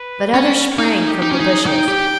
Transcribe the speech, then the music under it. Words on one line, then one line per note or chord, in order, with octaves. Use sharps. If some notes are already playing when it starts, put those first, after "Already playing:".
But others sprang from the bushes.
Already playing: B4
C#4
D#4 G#4
G4
D#4
C#4
D#4 G#4
D#4 G5
G4